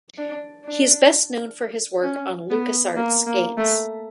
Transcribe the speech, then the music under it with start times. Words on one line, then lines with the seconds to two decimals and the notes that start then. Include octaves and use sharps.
He is best known for his work on LucasArts games.
0.18 D4
0.65 D4
2.03 C#4
2.50 B3
2.97 A#3
3.27 A#3
3.58 A3